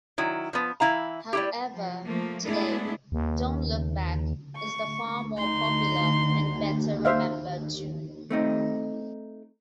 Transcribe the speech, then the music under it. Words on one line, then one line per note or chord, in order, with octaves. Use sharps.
However, today, "Don't Look Back" is the far more popular and better-remembered tune.
D#3 F#3 E4
F3 B3
E3 E4 F5 A#5
G3 E4 G4
F3
F3 A3 A#3
G#3 A3 B3 D4 E4 G#4
D#2
C#6
D#4 C6
C5 E5 F5
A3 C4 D#4